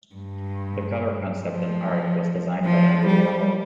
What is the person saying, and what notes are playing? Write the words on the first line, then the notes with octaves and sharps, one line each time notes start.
The cover concept and art was designed by Andy Warhol.
G2
F3
F3
G3